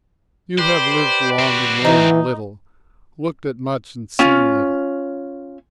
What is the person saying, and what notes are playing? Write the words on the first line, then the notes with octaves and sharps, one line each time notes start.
You have lived long and learned little, looked at much and seen little.
G4 B4 C5 D5
C4 F#4
E3 D#4
C#4 F4